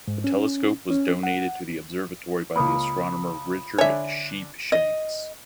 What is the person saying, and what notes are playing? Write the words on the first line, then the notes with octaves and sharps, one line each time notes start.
The telescope was donated to the observatory by the astronomer Richard Sheepshanks.
G#2
C#4
C#4
F#5
C#2 A#3 B5 D#6
D3 D4 C#5 E5 G#5
D#5